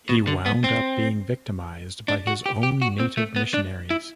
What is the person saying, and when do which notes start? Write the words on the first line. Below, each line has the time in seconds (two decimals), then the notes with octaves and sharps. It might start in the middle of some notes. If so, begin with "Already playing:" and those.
He wound up being victimized by his own native missionaries.
0.09 B2
0.27 D3
0.46 B3
0.64 C4
2.08 D4
2.27 F#4
2.46 G4
2.63 G4
2.82 F#4
3.00 C4
3.17 A3
3.36 B3
3.54 D4
3.91 E4